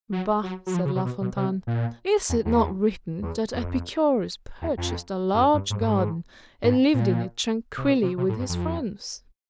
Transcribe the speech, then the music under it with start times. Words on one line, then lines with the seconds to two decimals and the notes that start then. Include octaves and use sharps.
"Bah!" said La Fontaine, "is it not written that Epicurus purchased a large garden and lived in it tranquilly with his friends?"
0.12 F#3
0.43 F#3
0.67 F#3
0.74 F3
0.85 C#3
0.95 C3
1.05 B2
1.21 B2
1.36 C3
1.67 A#2
2.29 E2
2.45 E2
3.22 E2
3.54 F2
4.62 E2
4.77 F2
5.34 G2
5.38 F#2
5.54 G2
5.70 G#2
5.80 G2
5.85 G#2
6.64 G#2
6.94 A#2
7.78 C3
7.86 B2
8.02 C3
8.17 C3
8.29 A2
8.39 G2
8.49 F2